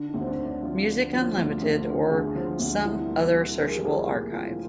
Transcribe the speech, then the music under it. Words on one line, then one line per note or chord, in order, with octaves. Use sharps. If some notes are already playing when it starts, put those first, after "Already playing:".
Music Unlimited, or some other searchable archive.
Already playing: D3 D4
D#4
D2
C4
D4
D3
D4
F3 F4
D3
F3
D2
D2
D3
D2 G#4
F3
D2
C2
A#2
C2
F3 A#4
G#4
G4
F3 G#4
G4
A#2
C2 F4